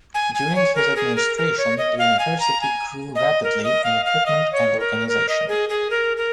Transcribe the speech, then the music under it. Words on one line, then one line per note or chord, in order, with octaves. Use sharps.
During his administration the University grew rapidly in equipment and organization.
G#5
G#5
C#5
A#4
G#4
A#4
A#4
C#5
D#5
F5
G#5
A#5
G#5
D#5
A#4
D#5
F5
F5
D#5
C#5
A#4
A#4
D#5
G#4
G#4
A#4
A#4